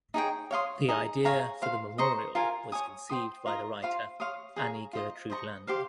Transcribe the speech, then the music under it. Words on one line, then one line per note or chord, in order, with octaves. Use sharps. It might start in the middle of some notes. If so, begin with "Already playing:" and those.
The idea for the memorial was conceived by the writer Annie Gertrude Landa.
D#4 G#4 C#5 G5
C#5 F5 C6 D#6
D#4 G#4 D#5
G#4 C#5 F5 A#5
C5 F5 C6
C5 D#5 A#5 C#6
F4 A#4 F5 G#5
C#5 G#5 D#6
C5 G5 C6 D#6
F4 A#4 D#5
F4 C5 F5 C6
C#5 F5 C6 D#6
G#4 C#5 F5 A#5
F4 C5 D#5
C5 D#5 A#5 C#6
G4 C5 F5 C6